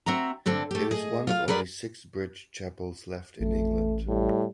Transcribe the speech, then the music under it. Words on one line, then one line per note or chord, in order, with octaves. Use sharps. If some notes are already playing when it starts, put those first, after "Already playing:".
It is one of only six bridge chapels left in England.
C4 F#4 E5 A#5
G2 D3 C4 D4
A3 G4
G#4 D#5
F4 C#5 F5
F#3 G#4 A#4 B4 D5
A1 A3
A2 G3